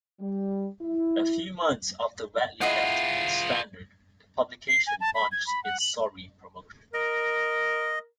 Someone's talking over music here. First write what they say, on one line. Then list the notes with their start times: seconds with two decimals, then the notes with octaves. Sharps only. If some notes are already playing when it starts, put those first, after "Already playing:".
A few months after Wadley left the "Standard", the publication launched its "Sorry" promotion.
0.20 G3
0.82 E4
2.61 E4 F4 G#4 D#5 F#5
4.68 C7
4.87 G#5
5.01 A5
5.15 B5
5.32 G#6
5.47 B5
5.64 F#5
5.80 F#7
6.94 A#4 D#5